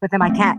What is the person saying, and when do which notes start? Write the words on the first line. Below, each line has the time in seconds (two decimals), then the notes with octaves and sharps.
but then my cat
0.22 A3
0.30 C4
0.38 A3